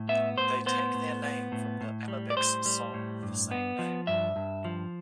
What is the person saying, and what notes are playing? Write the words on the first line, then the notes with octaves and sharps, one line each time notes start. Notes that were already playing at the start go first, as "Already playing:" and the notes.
They take their name from the Amebix song of the same name.
Already playing: A2
B3 E5
A2 C5
B3 C5
A2
B3
A2
A2
G3
D5
A2 C5
G3
A2
G2
B3
F3
G2 E5
G2
F3